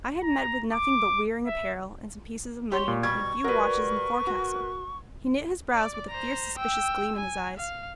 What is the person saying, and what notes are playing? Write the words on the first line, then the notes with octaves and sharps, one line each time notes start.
I had met with nothing but wearing apparel, and some pieces of money, and a few watches in the forecastle. He knit his brows with a fierce suspicious gleam in his eyes.
A#5
D6
E5
G4 C#5 C6
A#2
B2 G3 C#6 G#6
F#3 G3 A#4 B4
F#4
D5 D6
C5 A#5
G5 E6
G#5
F5